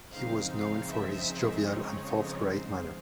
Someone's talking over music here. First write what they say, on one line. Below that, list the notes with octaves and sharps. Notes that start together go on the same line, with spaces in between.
He was known for his jovial and forthright manner.
C#3 F3 G#3 C4 D#4 F5
F5
E5
C#5
C5